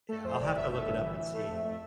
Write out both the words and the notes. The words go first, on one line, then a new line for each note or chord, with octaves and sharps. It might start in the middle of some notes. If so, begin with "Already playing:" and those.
Yeah, I'll have to look it up and see.
A3 A4
F2 C5
G1 D5
G1 E5
A3 E5
G1
E3
E3
A3
F2
A3